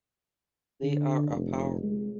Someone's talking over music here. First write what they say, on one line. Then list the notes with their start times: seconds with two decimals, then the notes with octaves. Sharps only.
They are apart.
0.83 D3
1.29 F1
1.83 G#3